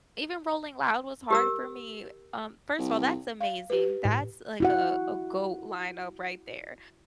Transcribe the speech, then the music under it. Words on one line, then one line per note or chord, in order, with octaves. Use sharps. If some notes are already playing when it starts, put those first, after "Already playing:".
Even Rolling Loud was hard for me, w um, first of all, that's amazing, that's, like, a a GOAT lineup right there.
G4 A#4 E6
C2
F5
G4 B4
A2
E4 F#4 F#5